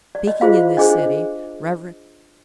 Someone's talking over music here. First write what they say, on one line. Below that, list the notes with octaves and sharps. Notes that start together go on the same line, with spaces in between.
Speaking in this city, Rev.
D5
D#5
F4 G#4 C5 F5
D4 G#4 C5 D#5